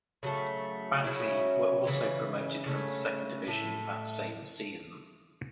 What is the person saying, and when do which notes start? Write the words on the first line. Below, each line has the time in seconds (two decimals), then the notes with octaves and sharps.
Batley were also promoted from the Second Division that same season.
0.23 C#3 F#3 A3
1.04 C#3 F#3 C#4 E4
1.85 C#3 E3 C#4
2.66 C#3 A3 C#4
3.47 A2 A3 E4